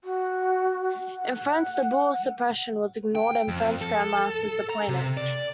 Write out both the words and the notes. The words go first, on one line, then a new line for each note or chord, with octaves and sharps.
In France, the Bull of suppression was ignored and French Grand Masters appointed.
F#4
F#5
G5
F2
A4
A#5
C3
D5